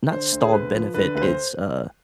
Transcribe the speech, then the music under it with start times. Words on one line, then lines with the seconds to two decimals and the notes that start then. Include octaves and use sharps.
not stalled benefit. It's, uh
0.11 D3 C5
0.32 D2
0.42 G#4
0.53 D2 B4
0.73 F3
0.94 D3 B4
1.15 D2 B4
1.22 C5